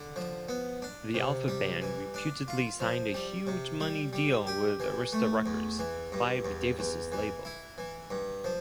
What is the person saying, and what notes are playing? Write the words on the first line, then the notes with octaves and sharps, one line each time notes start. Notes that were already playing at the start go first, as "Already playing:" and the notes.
The Alpha Band reputedly signed a huge-money deal with Arista Records, Clive Davis's label.
Already playing: D3
F3
B3
D4
C3
G3
E3
D4
F4
F3
G3
C3
G3
G3
G4
E3
A3
E2
E3
G2
E2
E2
E3
E4
E3
G2
F3